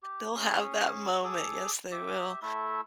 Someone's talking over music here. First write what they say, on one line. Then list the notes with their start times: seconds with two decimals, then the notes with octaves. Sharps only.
They'll have that moment, yes they will.
0.03 G4
0.35 C#4 G#4
1.24 G#4 A4 D6 D#6
1.92 G4 E5
2.42 A3 E4 A4 E5